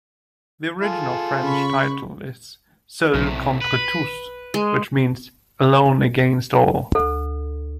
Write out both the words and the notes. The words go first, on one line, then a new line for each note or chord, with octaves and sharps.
The original French title is Seul contre tous, which means "Alone against all".
F4 G#4 A4
C#3 B5 C#6
B1 A2 C3
B4
G#3
D2 A4